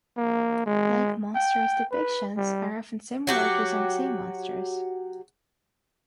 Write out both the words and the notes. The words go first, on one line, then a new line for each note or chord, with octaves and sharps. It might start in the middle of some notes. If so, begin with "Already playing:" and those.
Lake monsters' depictions are often similar to some sea monsters.
A#3
G#3
G5
B4
G3
F#3 F#4 G4